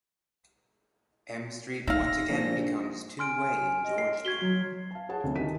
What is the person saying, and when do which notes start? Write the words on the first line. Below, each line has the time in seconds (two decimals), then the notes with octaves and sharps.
M Street once again becomes two-way in Georgetown.
1.87 D#4 E5 F5 A#6
2.29 A#1
3.19 G#5 C6 F6 D7
3.84 D#5
3.98 C7
4.25 F#4 G#6 B6 G7
4.42 F#3
4.91 F5 A5
5.09 G#4 C#5 F#5 A5
5.24 D2 G2 C3 F#3
5.36 D#3 E3 G3 B6 D#7